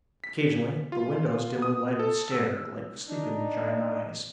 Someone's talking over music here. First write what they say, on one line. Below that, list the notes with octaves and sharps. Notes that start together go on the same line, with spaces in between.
Occasionally the windows, dimly lighted, stared like sleeping giant eyes.
B6
F4
D#6
A4
E6
D4 D#4